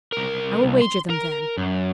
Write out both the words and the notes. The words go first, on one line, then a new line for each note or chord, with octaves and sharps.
"I will wager them, then."
C2 A#4
C2
C6
A#4
F#2